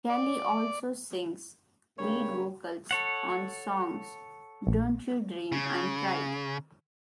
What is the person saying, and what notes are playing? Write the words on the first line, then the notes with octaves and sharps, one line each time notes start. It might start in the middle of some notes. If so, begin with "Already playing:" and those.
Kelly also sings lead vocals on songs "Don't You Dream" and "Pride".
D5
G2 C#3 A#3 C#5 G5 B5
A4 C#5 F#5
A#1
C#3